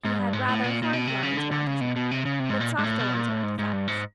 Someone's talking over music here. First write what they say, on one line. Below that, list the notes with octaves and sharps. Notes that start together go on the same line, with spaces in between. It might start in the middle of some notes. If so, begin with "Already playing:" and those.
He had rather hard lines around his mouth, but softer ones around his eyes.
G#2
G2
G#2
A2
A#2
A#2
B2
C3
C#3
D3
D3
C#3
B2
B2
C3
C#3
C3
G#2
A#2
G#2
A2
B2
A#2
A2
G#2
G#2
G2
G#2